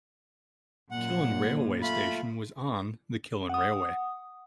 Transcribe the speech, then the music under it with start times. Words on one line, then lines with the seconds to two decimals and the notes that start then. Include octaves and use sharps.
Killin railway station was on the Killin Railway.
0.91 F#2 A#2 F#5
1.82 A3 F4 B5
3.49 F#5 D#6